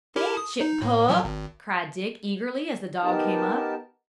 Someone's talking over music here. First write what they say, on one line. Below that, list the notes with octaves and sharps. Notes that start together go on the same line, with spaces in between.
"Fetch it, pup," cried Dick eagerly as the dog came up.
E4 G4 A#4
D#6
D#4
A2
A#2 F3 F#3
G#1
B3 D#4 G4 A#4 A5